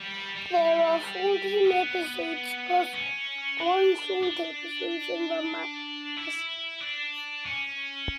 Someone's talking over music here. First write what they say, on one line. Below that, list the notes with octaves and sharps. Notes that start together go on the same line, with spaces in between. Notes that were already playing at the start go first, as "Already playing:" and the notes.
There are fourteen episodes plus one short episode in the manga series.
Already playing: G3
G3
B3
C#4
D4
D4
E4
D4
C#4